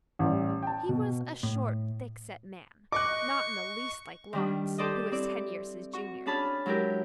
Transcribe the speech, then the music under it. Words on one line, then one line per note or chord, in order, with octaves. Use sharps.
He was a short, thickset man, not in the least like Lawrence, who was ten years his junior.
A1 G3
G5 A5
B2
A2
D#5 C#6 D6 F#6
D#3 G3 D4
G4 A4 C5 D5 D#5
C4 E4 D5
F#4 C#6
C#4 D4 G#4 A5 B5 F6
F#3 G#3 E4 G4 A#4